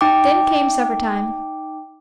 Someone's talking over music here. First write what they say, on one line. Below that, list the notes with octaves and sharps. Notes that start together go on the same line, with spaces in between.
Then came supper-time.
D#4 G5 D6